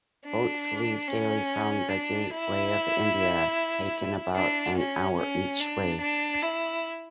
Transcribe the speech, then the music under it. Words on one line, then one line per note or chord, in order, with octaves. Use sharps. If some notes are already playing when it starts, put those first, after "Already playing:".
Boats leave daily from the Gateway of India, taking about an hour each way.
D4
C#4
D4
E4
D4
C#4
C#4
D4
D4
E4